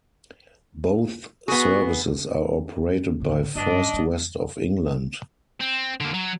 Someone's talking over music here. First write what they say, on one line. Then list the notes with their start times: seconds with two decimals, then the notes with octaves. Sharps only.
Both services are operated by First West of England.
1.48 B3 F#4 G#4
3.20 A1 D3
3.55 G2 D4 D#5
3.94 A3
5.60 C4
6.01 D3 A#3
6.14 F#3